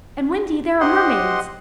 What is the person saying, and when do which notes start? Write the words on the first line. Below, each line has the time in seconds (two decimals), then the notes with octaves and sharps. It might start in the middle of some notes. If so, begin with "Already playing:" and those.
"And, Wendy, there are mermaids."
0.81 G4 C5 D#5 F#5 C6